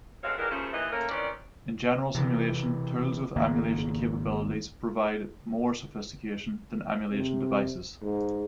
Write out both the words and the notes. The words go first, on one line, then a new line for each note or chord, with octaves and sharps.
In general simulation tools with emulation capabilities provide more sophistication than emulation devices.
D2 G2 G#3 C4 C#5 F5
G#2 E3 G3 G#3 A#4
D#2 C#3 F3 A3 C#4 C5
D#2 E3 D#5
A3 A#3 C#4 A#4
D#3 E3 C4 C#4 D5
C3 E3
G#1 C#3 A#3
C3
G#2